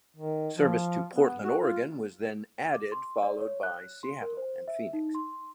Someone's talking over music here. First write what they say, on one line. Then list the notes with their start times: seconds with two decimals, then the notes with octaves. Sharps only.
Service to Portland, Oregon was then added followed by Seattle and Phoenix.
0.17 D#3
0.57 F3
1.15 B3
1.44 F#4
1.61 F4
2.73 D6
2.92 C6
3.23 D5
3.41 C#5
3.63 F#6
4.03 C6
4.22 A#4
4.37 C5
4.68 E5
4.93 D#4
5.15 C6